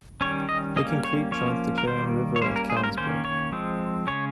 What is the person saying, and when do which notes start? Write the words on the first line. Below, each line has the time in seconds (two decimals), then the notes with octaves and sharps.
Licking Creek joins the Clarion River at Callensburg.
0.21 D#3 G3 C#4 C#5
0.49 D#5
0.76 G3 A#3 C#4 D#5
1.04 C#5
1.31 F3 A#3 C#4 C#5
1.78 A#4
1.87 D#3 G3 A#3 C5
2.36 C#5
2.41 G3 A#3 C#4 C5
2.56 A#4
2.70 G#4
2.77 C5
2.84 A#4
2.97 D#3 A#3 C#4 C5
3.25 C#5
3.52 F3 G#3 C4
4.07 C#3 G#3 C#4 C#5